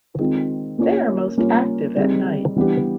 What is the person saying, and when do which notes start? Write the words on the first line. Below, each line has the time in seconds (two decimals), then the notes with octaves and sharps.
They are most active at night.
0.19 D#3 G#3 C4 F4
0.78 A#3 C#4 F4 A#4 C#5
1.37 G3 A#3 C#4 F4 A#4
1.97 G3 C4 D#4 G#4
2.56 E3 G3 B3 D4 G4